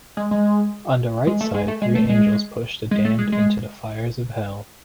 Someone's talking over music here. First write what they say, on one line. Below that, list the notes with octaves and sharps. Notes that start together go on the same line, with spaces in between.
On the right side, three angels push the damned into the fires of hell.
G#3
G#3
G#3
A3
G#3
A3
G#3
A3
G#3
G#3
A3
G#3
G#3